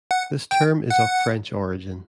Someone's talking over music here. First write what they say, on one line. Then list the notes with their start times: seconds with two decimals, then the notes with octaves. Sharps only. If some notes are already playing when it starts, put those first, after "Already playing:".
The term is of French origin.
0.11 F#5
0.51 G5
0.90 F#5